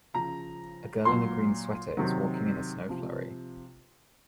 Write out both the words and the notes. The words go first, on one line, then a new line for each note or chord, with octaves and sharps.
A girl in a green sweater is walking in a snow flurry.
C#3 F3 A#5
A#2 F#3 C6
C3 D#3 F#3
C3 F3